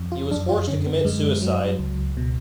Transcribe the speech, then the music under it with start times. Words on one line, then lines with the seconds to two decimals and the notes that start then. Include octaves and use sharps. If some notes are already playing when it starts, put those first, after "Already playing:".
He was forced to commit suicide.
Already playing: F2
0.12 F4
0.31 F#2 D4
0.49 F4
0.67 D3 C#4
0.86 B3
1.05 F#2 G#3
1.42 F#3
1.79 C#2
2.17 B2